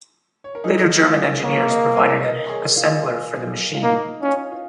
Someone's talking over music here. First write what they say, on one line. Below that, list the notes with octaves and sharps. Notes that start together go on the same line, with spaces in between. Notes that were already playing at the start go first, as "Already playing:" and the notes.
Later German engineers provided an assembler for the machine.
C#5
A#4
D#4 G#4
F4 A#4
A#3 G#4 C#5
A#4 D#5
G#4 C#5
A#4 D#5
G#4 C#5
F4
F4
A#3 D#4
C#4 F4
F4